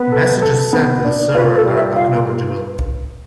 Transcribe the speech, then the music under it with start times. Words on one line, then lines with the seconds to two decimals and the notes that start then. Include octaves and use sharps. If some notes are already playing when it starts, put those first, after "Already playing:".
Messages sent to the server are acknowledgeable.
Already playing: B3 B4
0.12 A4
0.42 A4
0.73 B3
1.05 D4
1.34 F4 B4
1.55 A4
1.65 G3
1.75 E5
1.96 F4 F5